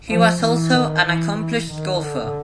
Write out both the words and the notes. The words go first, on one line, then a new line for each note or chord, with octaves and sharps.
He was also an accomplished golfer.
F3
E3
D#3
E3
E3
D#3
D3